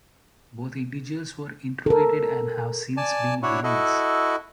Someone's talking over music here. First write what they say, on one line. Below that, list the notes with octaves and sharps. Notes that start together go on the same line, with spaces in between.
Both individuals were interrogated and have since been released.
A4 A#4
D5 G#5 A5
D4 E4 F#4 C#5
E4 F#4 A4 D#5